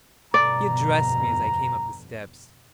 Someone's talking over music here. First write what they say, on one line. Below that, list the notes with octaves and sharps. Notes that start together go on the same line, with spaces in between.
He addressed me as I came up the steps.
G1 F2 B2 D5 A#5